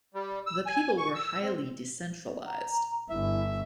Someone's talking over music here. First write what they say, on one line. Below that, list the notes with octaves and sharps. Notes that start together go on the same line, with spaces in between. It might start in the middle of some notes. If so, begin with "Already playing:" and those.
The people were highly decentralized.
G3
E6
G#5
C#6
E6
C4
A#5
G1 E4 E5